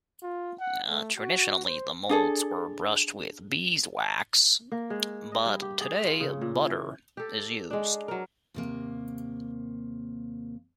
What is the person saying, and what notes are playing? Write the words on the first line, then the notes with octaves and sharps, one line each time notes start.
Traditionally the moulds were brushed with beeswax, but today butter is used.
F4
F#5
A3
F#4
C5
D4 G#4 A4
A#3
G#3
D#5
G2
G4
G#4
F4
C#3
A#2
E3
G4 A4
G#3 D4
F#3 A#4
D#2 C3 A#3